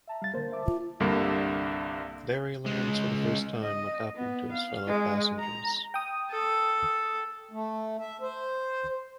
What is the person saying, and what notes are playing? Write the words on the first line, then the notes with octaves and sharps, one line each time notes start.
There he learns for the first time what happened to his fellow passengers.
E5 A5 A#5
G3 F5 A6
D3 A#3 A#4 C5
E5 A5 D6
F4
C2 G2 D3 A#3
C#2 G#3
D#5
B3
F5
G#3
A#5
G5 D#6
A4
A3
E5
C5